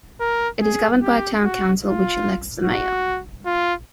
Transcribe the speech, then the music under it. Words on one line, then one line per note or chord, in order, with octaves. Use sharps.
It is governed by a town council, which elects the mayor.
A#4
G#4
G4
F#4
F4
F#4
F4